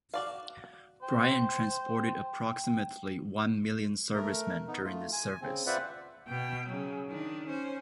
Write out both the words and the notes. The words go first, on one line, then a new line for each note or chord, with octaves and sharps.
Bryant transported approximately one million servicemen during this service.
F#4 D5 F5
C5 G5
A3 A#4
B3 D#4
A3 F4
G#5
C#3 C4
F4 B4 C5 D5 E5 F#5
B2 G5
C#3 F#3
D#3 D4
C#4 C5